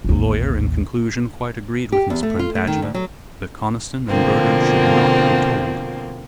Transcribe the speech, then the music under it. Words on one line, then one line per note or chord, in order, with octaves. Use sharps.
The lawyer, in conclusion, quite agreed with Miss Plantagenet that Conniston and Bernard should not be told.
A1 D#2
G4
E2
A3
F4
A3
D#3
D2
F#3
B2 D3 F3 A#3 C4